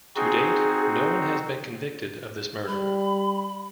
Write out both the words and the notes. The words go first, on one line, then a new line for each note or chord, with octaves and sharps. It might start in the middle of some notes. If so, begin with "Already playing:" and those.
To date, no one has been convicted of this murder.
C4 D#4 F#4 G#4
G3 B5